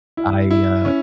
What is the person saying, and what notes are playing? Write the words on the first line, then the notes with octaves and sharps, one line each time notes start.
I, uh
E4
E4
C#4